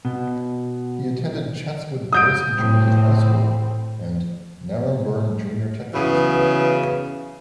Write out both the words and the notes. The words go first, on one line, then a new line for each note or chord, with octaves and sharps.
He attended Chatswood Boys Intermediate High School and Naremburn Junior Technical School.
B2
D#6 G6 D7
A2 C4
C#3 E3 F#3 B3